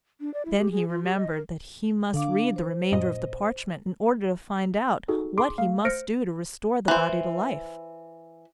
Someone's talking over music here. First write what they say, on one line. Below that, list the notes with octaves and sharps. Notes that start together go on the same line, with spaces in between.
Then he remembered that he must read the remainder of the parchment in order to find out what he must do to restore the body to life.
D4
D5
E4
G4
G#4
F4
G4
D#5
A#4
D3 D4 F5 D6
C5
F#2 A#2 D#5
D#4 F#4 G#4 A4
G#4 C6 D6 D7
A3 F5
C5 F6 A#6 C#7 D7
E3 C5